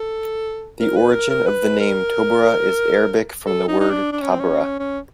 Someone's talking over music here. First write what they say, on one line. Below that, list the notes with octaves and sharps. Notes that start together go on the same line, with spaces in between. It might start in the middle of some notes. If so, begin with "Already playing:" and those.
The origin of the name "Tobarra" is Arabic from the word "Tabarrah".
Already playing: A4
A#4
B4
A#4
A#4
B4
A#4
A4
D#4
D#4
D4
D4
C#4
C4
C#4
C#4